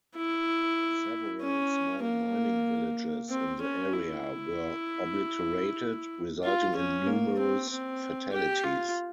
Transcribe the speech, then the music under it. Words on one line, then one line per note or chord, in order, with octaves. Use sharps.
Several small mining villages in the area were obliterated, resulting in numerous fatalities.
E4
C#4
A#3
C4
C#4
E4
F4
C#4
A#3
C4
C4
G4
F4